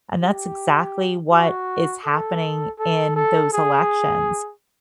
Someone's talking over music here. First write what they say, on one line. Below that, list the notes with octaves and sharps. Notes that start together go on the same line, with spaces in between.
And that's exactly what is happening in those elections.
G4
F#4
A4
A4
A4
G#4